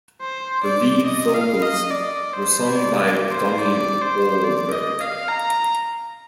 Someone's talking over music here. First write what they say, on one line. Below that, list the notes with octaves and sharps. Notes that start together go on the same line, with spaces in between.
The lead vocals were sung by Donnie Wahlberg.
C5
D5
D#5
F5
D#5
D5
C5
D5
D5
C5
D5
C5
D5
D#5
F5
A#5